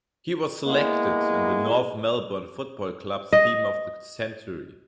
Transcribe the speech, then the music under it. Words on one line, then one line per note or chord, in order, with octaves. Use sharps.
He was selected in the North Melbourne Football Club's Team of the Century.
G#3 A#3 B3 E4
D#5